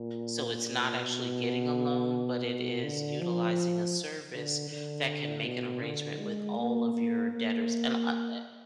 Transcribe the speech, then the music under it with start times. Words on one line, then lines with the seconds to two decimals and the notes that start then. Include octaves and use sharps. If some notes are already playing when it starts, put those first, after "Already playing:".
So, it's not actually getting a loan, but it is utilizing a service that can make an arrangement with all of your debtors, and, uh eh
Already playing: A#2
0.97 B2
2.46 B2
2.84 D3
3.21 F3
4.33 D3
4.70 D3
5.45 B2
5.82 D3
6.20 G#3
6.57 A#3
6.94 A#3
7.32 A#3